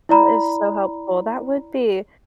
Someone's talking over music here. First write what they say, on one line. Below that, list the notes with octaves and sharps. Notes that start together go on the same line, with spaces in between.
That is so helpful. That would be.
E4 D5 A#5 B5